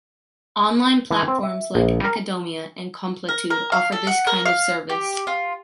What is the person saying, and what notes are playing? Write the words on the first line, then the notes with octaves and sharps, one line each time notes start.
Online platforms like Acadomia and Complétude offer this kind of service.
E3
C4
E5
A#1
A#4
A#4
A#4
F5
A4
F#5
A#4
F5
G4
F4